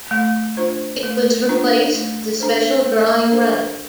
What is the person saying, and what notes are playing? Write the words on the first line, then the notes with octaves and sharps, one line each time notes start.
It was replaced with the special drawing right.
A3
D4 F4 C5
A3
D4 F4 C5
A3
D4 A4 C5
A3
D4 A4 C5